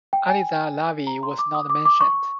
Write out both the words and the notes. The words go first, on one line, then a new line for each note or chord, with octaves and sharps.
Aliza Lavie was not mentioned.
G5
G#5
A#5
C6
D6
D#6
D6
D6
C#6